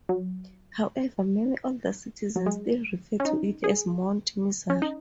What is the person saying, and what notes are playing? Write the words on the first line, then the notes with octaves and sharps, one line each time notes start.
However, many older citizens still refer to it as Mount Misery.
F#3
F#3
G#3
C#4
D#4
G#4
C#4
D#4